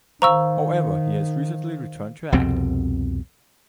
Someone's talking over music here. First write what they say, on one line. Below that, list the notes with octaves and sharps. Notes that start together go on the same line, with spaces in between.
However, he has recently returned to acting.
D#3 C5 F5 A#5 C#6 E6
C2 F2 B2 C4